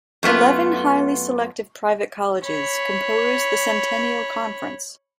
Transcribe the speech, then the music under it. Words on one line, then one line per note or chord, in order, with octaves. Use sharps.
Eleven highly selective private colleges compose the Centennial Conference.
F#2 A3 B3 F4
C#5 B5